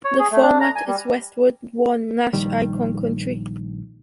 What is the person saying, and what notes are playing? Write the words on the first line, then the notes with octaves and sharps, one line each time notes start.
The format is Westwood One "Nash Icon" country.
C#5
G#4
A3
D4
A#5
G#5
G3
A#1 D#3 G3